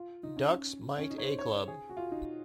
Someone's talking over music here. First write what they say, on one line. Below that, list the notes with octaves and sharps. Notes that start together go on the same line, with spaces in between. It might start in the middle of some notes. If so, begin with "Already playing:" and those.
Ducks Mite A club.
Already playing: F4
D#4
C#4
C#4
D#4
C#5
C5
C#5
G#4
F#4
F4
D#4